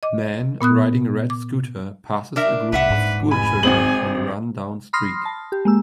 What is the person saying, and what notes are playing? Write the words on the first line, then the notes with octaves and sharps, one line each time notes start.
Man riding a red scooter passes a group of school children on a run down street.
D#5 D6
A#2 B3 D#6 F#6
D6
D4 A#4 E5
C2 A2 D4 B4 E5 F#5
D#1 G#2
F1 G#5 B5
G#1 C4 F#4 G#4 F#7
B5 C6 D#6 F6 A#6 C7
A5
G4
G#3 A#3 E6